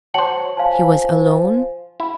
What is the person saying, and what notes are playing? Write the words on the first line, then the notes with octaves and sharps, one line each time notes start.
He was alone.
F#3 C5 F#5 A5 C#7 F#7
F3 F5 G#5 A5
E4